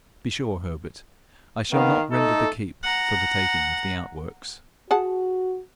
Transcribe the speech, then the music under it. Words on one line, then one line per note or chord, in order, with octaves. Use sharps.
Be sure, Herbert, I shall not render the keep for the taking of the outworks.'
D#3 B3 F5
A3 D#4 A4
F#5 A#5
F#4 G#4 F#5 A5